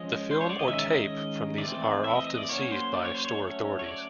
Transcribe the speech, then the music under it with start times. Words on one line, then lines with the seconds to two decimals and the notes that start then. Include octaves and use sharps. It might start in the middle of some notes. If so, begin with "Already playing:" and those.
The film or tape from these are often seized by store authorities.
Already playing: F3 G#3 C#4 D#5
0.31 C5
0.41 C#5
0.50 D5
0.59 D#5
0.68 D#3 G#3 C#4 E5
0.91 D#5
1.58 E3 A3 C4 D5
2.04 E5
2.15 D#5
2.27 D#5
2.37 D5
2.49 F#3 A#3 C#4 C#5
2.72 C5
2.94 D5
3.04 C#5
3.15 C5
3.25 C#5
3.39 F#3 A3 C#4
3.79 C#5
3.85 D5